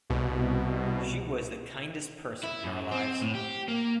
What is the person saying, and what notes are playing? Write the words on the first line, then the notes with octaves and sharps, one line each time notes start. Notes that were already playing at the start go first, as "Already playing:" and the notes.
She was the kindest person in our lives.
C2 B2
E4
F#2
C4
A2
G4
A#3